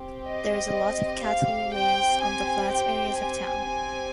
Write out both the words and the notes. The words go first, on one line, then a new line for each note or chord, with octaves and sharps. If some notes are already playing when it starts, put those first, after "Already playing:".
There is a lot of cattle raised on the flat areas of town.
Already playing: C4 G4
D#5
F5
C4 G4 G5
G#5
G5
G#5
C4 G4